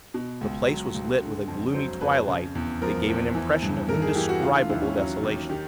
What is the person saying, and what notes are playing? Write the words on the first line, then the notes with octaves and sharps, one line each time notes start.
The place was lit with a gloomy twilight that gave an impression of indescribable desolation.
B2
C#2
F#3
C#2
D3
F2
F#3 C5
F2 B4
C#3
E2
F3 A#4
E2
E3
G2
G2 A#4
G#4
E3 G4
F#4
D3 F4
F4
D#2 E4
C#4
F#3 C#4
D#2
D#3 G4